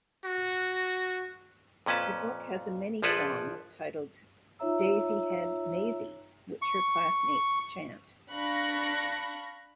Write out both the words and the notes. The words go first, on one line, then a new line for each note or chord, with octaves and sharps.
The book has a mini-song titled "Daisy-Head Mayzie" which her classmates chant.
F#4
F2 A#2 C#4 B4 A5
A#1 F3 G#4 A4 B4 D5
D#4 F4 C#5 E5 A#5 E6
C#6
D4 F5 B5 C#6 F#6 A#6